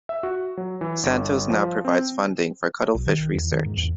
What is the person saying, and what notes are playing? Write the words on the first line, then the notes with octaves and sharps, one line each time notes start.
Santos now provides funding for cuttlefish research.
E5
F#4
F#3
E3
G1
F3
C4
B1
D#3
E2
D#3
G#2
E2